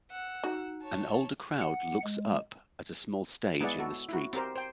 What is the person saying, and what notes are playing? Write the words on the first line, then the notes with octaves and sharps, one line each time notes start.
An older crowd looks up at a small stage in the street.
F#5 E6
D#4 F#4
C#5 A5
F#5
G#3
G#3 B3 E4 G#4 D5 F#5
F#4 A4
E4 F#4
C4 G4 A#4 C5
C5 G5